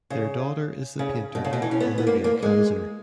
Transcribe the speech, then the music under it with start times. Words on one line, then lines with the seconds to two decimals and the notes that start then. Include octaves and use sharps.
Their daughter is the painter Olivia Kaiser.
0.10 C#3
0.99 C#3
1.35 B2
1.45 C#3
1.53 B2
1.62 E3
1.71 C#4
1.80 B3
1.98 B3
2.07 A#3
2.24 A#3
2.42 G#3